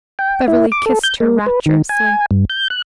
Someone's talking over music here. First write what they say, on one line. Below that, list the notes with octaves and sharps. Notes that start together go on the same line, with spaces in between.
Beverly kissed her rapturously.
G5
E4
D6
A4
G6
A#3
B4
D#3
G#5
G2
G6
F#6